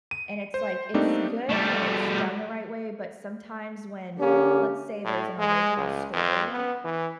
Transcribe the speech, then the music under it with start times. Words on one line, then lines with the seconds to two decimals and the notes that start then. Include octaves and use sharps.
And it's, like, it's good when it's done the right way, but sometimes when let's say there's an original story
0.11 D#7
0.54 C5
0.94 G3 A3 A#3 C4 D4 D#4
1.49 G3 A3
4.18 D3 A#3 C#4 G4
5.05 A2
5.39 G#3
5.77 C#2
6.13 F2
6.52 B3
6.84 E3